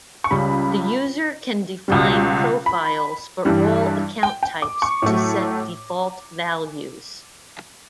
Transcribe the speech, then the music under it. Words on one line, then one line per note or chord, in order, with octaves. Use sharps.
The user can define profiles for all account types to set default values.
C#6
C#2 C#3 G3 B5
C#2 B2 G3
B5
G2 E3 G3
G5
G5
D6
C#6
A2 F#3 A3